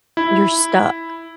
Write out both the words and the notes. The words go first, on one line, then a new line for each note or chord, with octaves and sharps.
you're stuck.
E4